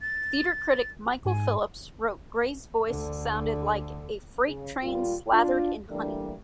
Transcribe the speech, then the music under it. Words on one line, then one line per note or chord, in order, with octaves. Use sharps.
Theatre critic Michael Phillips wrote Gray's voice sounded like "a freight-train slathered in honey".
A6
G#2 G#5
D2 D3
C#3
A#2 G3 F4
D4 F4
E3 G3 A3 A#3 D4